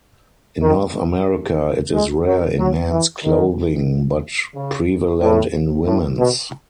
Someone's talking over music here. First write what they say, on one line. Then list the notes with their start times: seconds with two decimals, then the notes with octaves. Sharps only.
In North America it is rare in men's clothing, but prevalent in women's.
0.62 D#3
1.93 G#3
2.26 F#3
2.58 F#3
2.92 E3
3.24 D#3
4.55 C#3
5.21 A2
5.86 A2
6.19 B2